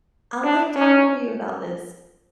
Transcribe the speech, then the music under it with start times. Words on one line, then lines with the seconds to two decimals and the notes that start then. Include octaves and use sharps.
I like talking to you about this.
0.44 D4
0.76 C#4